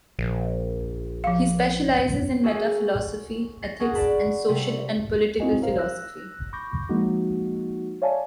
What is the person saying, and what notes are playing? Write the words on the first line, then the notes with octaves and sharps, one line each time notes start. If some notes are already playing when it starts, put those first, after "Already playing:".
He specializes in metaphilosophy, ethics, and social and political philosophy.
A#1
F3 F5
F#4 G#4 A4 C#5 G#5
A6 A#6 C#7
C#4 F#4 G#4 F#5 C#6
D5 A5 B5
C3 G3
C4 D#4 E4 F#4 D#5 G#5
A#4 C5 F5
E6 F#6 A#6
B5 C#6 D6 G6 A#6
F3 G#3 A#3 D#4 F#4
C#5 D5 E5 F5 G#5 A5